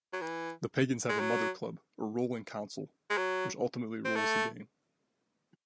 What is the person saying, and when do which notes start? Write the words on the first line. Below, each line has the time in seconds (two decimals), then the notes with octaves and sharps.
The Pagans have a mother club or ruling council which ultimately rules the gang.
0.13 F#3
0.21 E3
1.09 G#3
1.20 F#3
3.10 G#3
3.17 F#3
4.05 C4
4.16 A3